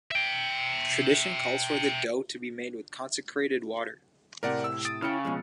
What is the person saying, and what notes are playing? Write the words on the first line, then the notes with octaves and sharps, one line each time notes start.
Tradition calls for the dough to be made with consecrated water.
E5 G5
A2 C3 C4 A#4 D5 F#5
E6
D#6 A6 D7
C#3 E4 G5 F6 C#7
B2 F3 G#3